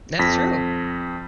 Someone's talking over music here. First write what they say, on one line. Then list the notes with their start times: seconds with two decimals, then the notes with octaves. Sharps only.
That's true.
0.19 F2 A#6 B6